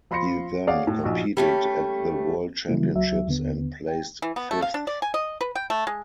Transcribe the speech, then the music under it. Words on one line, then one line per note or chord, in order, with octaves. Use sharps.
He then competed at the World Championships and placed fifth.
F3 B5 C6 A#6 C#7
G#4 C#5 D5 F5 F#5
A2
A#1 D#4 F#4
G3 A3 C#4
C#3 E3 F#3 G3 A#3 E4
C#2 F#3 E5
D#2 D3 B3
G5
E3
B3
A3
F5
D4
D5
G#5
D#5
B4
G5
A3
G#3